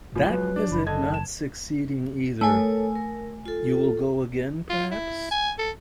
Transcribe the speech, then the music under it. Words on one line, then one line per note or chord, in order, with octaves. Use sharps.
That visit not succeeding either, you will go again perhaps?
F1 C#2 A#2 F3
F#3 B4
D4
F#1 B5
D3 D#5 A5 G#6
E7
A3 A4 A#4 C#5 G#5
A#4
F4 A4
F4
E4
G#5
A4